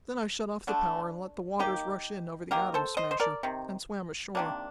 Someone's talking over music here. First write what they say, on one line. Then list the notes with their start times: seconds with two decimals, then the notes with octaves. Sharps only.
Then I shut off the power and let the waters rush in over the Atom Smasher, and swam ashore.
0.67 D3 A3 D4
1.59 D#3 A#3 D#4 G4
2.51 D#3 A#3 G4 A#4
2.74 A4 C5
2.97 C5 D#5
3.11 C5
3.20 A#4 D5
3.43 C3 D#3
4.35 C3 D#3 A#3 D4